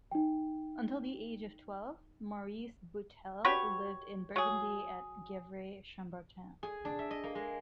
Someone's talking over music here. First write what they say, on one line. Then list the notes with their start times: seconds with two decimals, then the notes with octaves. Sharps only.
Until the age of twelve Maurice Boitel lived in Burgundy at Gevrey-Chambertin.
0.11 D#4 G5
3.45 F#4 G4 B4 C#5
4.36 F#3 G#4
6.63 G#4
6.85 D4
6.99 E5
7.11 D#5
7.24 A#3
7.35 G#3